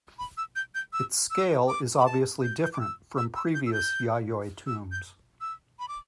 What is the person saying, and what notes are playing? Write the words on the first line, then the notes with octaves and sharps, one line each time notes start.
Its scale is obviously different from previous Yayoi tombs.
B5
E6
G6
G6
E6
E6
D6
B5
A5
G6
G6
D6
E6
E6
E6
G6
E6
G6
E6
G6
E6
B5
D6